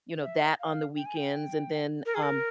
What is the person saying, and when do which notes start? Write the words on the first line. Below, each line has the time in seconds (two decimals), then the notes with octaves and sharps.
you know, that on the weekends, and then, um
0.22 E5
0.60 F5
0.96 G5
1.06 G#5
1.16 G5
2.06 A#4
2.14 G#4
2.23 A#4